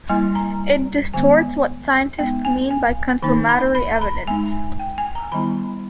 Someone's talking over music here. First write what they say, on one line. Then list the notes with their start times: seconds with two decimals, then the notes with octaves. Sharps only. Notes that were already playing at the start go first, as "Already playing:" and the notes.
It distorts what scientists mean by confirmatory evidence.
0.09 G3 A#3 E4 G#5
0.35 A#5
1.14 D#3 G#3 B3 G#5
2.18 G#3 B3 D#4 G5
2.45 G#5
2.71 G#5
3.22 D#3 A#3 D#4 B5
3.49 B5
3.75 B5
3.96 A#5
4.01 B5
4.27 G#3 D#4 G#5
4.79 G5
4.98 G#5
5.15 A#5
5.32 D#3 G3 B3 E4 B5